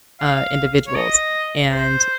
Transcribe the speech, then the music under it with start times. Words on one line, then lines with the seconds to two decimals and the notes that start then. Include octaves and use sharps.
uh, individuals, and
0.20 F5
0.87 C#5
0.96 D#5
1.71 C5